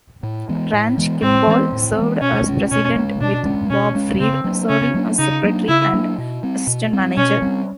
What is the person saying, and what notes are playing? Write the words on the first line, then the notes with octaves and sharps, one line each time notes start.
Ranch Kimball served as President with Bob Freed serving as Secretary and Assistant Manager.
A2
E3 G#3 B3
A2
E3 G#3 B3
A2 C4
E3 G#3 B3
A2
E3 G#3 B3
B2 C#4
G#3 C#4
B2 C#4
G#3 C#4
B2 D4
G#3 C#4
B2 C#4
G#3 C#4
C#3 C4
F#3 A#3 D4
C#3 C#4
F#3 A#3 D4
C#3 D#4
F#3 A#3 D4
C#3 E4
F#3 A#3 D4
B2
G3 C4
B2
G3 C4
B2 C#4
G3 C4